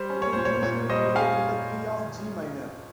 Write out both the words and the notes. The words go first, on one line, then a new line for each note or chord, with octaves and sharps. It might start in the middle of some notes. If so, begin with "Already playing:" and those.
It is usually played in the key of G minor.
Already playing: G3 C5
C#4
C#5
A#2 C5
C#5
A#2 C#5
G3 C5 D#5
C#4 F5 G#5